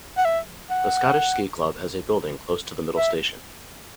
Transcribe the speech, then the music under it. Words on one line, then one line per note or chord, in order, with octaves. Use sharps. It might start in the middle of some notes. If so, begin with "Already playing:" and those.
The Scottish Ski Club has a building close to the middle station.
F#5
E5
F#5
E5